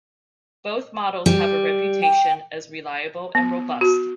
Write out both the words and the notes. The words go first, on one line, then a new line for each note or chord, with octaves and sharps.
Both models have a reputation as reliable and robust.
G3
G5
B3
F#4